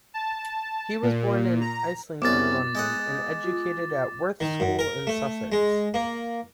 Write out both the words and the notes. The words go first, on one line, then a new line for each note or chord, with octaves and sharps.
He was born in Islington, London, and educated at Worth School in Sussex.
A5
A#2
A#5
C2 F#2 B3 D5 D6 A6
G#3 D#5 F#5
F4
D#3
F#2
A#4
A3
G#3
A#3